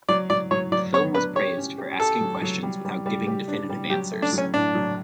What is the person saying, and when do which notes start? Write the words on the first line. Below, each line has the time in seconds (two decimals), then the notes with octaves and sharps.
The film was praised for asking questions without giving definitive answers.
0.09 F#3 D5
0.30 F#3 D5
0.51 F#3 C#5
0.72 F#3 D5
0.94 B3 C#5
1.15 D4 B4
1.35 G4 C#5
1.57 C#4
1.78 G4
2.00 G4 A4
2.21 F#3
2.42 F#3
2.63 G3
2.85 G3
3.06 G3
3.27 G4
3.48 D4
3.69 G3
3.90 F#3 G4
4.12 A3
4.22 D4
4.33 F#3
4.38 C#4
4.54 A2 D4
4.75 F#3